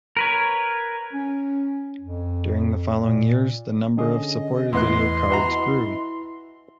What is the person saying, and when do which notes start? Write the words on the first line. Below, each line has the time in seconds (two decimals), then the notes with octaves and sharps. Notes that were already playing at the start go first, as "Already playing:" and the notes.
During the following years the number of supported video cards grew.
0.17 A#4 B4 C#5
1.13 C#4
2.00 F2
3.02 A#2
3.97 D3 C#4 G#4 D#5
4.73 E2 A2 B3 C6 F#6
5.30 E3 E4 F#4 A#5